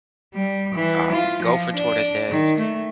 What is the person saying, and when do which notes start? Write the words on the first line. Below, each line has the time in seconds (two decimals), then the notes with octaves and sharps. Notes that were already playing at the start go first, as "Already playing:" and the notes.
um, gopher tortoises,
0.35 G3
0.74 E3
1.12 F4
1.43 F3
1.76 D4
2.30 D#3
2.59 A3